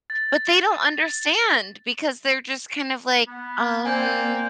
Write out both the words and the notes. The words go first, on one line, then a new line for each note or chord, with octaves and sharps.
But they don't understand because they're just kind of, like, um
A6
B3
A#3 C4 D5 G5 G#5 G6